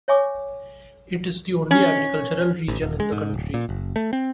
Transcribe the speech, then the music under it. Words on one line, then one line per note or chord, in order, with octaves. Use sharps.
It is the only agricultural region in the country.
C#5 E5 G#5 C#6 D6
C#4
A1
D#1
G#3
G#2
D1
A#2
F#1
A3
C4